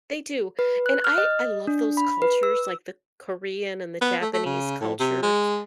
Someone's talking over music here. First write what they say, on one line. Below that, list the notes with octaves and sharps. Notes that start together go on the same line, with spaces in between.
They do, and I I love those cultures, like the Korean and the Japanese cultures
B4
F#6
F6
D#5
D4
B5
B4
E6
B3
A3
A3
C#3
A2
C3
G#3